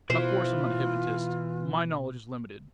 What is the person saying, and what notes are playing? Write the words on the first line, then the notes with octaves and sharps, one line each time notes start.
Of course I'm not a hypnotist; my knowledge is limited.
B2 E3 F4 C5